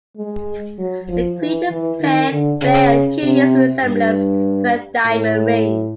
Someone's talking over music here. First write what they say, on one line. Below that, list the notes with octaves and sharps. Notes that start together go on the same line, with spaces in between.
The crater pair bear a curious resemblance to a diamond ring.
G#3
F#3
F3
E3
E3
D#3
D3
C#3
C3
G2
A2